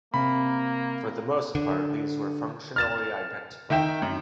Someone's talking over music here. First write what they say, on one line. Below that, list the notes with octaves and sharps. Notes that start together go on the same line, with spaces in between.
For the most part these were functionally identical.
C3 A#3 B5
D3
F6 A6 E7
D#3 E5 G5 E7
F#2